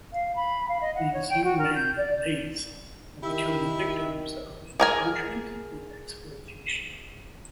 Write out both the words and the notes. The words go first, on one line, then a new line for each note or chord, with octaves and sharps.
These Umang Lais have become the victims of the encroachment and exploitation.
F5
B5
F5
D#5
F#5
C#5
G5
F#4
A#4
G6
D5
D#3 E4 G4 E5
G#4 A#4 G#5